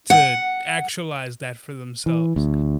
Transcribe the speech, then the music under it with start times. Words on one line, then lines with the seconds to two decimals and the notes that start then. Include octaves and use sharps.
to actualize that for themselves.
0.10 F#5
2.06 E3
2.36 D2